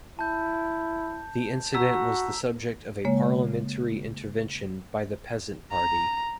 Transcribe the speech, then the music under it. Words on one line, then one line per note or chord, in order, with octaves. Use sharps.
The incident was the subject of a parliamentary intervention by the Peasant Party.
E4 A5 G6
F#4 A#5 E6 B6
C#3 G#3 A#3 C#5
A#5